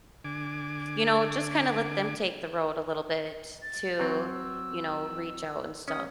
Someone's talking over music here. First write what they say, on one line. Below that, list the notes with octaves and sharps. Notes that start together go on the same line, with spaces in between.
you know, just kinda let them take the road a little bit to, you know, reach out and stuff.
D3 G#5 D6
A6
F#3 C4
E6
C#4 D#6